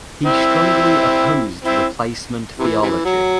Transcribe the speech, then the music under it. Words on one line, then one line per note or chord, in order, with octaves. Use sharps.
He strongly opposed replacement theology.
C4 E4
C4 E4
C3 E3
C3 E3
F#3